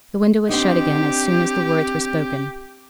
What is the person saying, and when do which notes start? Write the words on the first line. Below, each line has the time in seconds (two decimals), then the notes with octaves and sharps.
The window was shut again as soon as the words were spoken.
0.49 C4 D4 D#4 G4